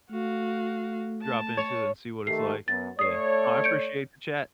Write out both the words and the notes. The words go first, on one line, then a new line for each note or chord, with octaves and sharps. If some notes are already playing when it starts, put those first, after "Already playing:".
drop into it and see what it's like, yeah. No, I appreciate the chat.
A3 F#4 F5
A5
C#5
D#3 A3 G4 C7
F#2 B3 A6
A3 C#5 D5 D#6 C7
G6 C#7 D7